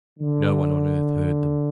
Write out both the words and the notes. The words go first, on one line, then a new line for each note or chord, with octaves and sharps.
No one on earth heard them.
D3